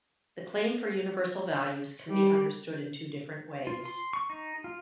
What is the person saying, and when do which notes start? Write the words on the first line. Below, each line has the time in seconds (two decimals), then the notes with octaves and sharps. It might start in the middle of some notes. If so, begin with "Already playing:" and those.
The claim for universal values can be understood in two different ways.
2.09 G3
3.67 F4
3.85 C6
4.13 C#6
4.30 D#4
4.64 F4